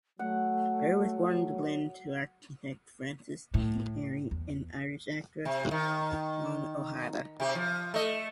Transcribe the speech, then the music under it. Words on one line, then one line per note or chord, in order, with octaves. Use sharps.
Barry was born in Dublin to architect Francis Barry and Irish actress Joan O'Hara.
F#3 A3 F#5
A2
E2
C3
D#3
C3 G4
F3
A3 D#5